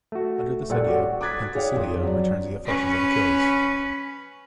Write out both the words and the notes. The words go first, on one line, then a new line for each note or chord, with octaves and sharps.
Under this idea, Penthesilea returns the affections of Achilles.
A3 F#4
A#2 G3 A4 D5 F#5
F#4 G4 C#5
D6 D#6 F#6 G#6 A6 B6
G#4 C#5 D5 F5 G5
F2
F#3 D5
C#4 B4